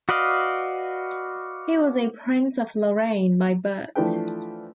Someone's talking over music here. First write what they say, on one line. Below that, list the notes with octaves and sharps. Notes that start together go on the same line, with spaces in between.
He was a prince of Lorraine by birth.
F#4 B4 D5 D#5 F5
E3 F3 A3 D4 B4 G5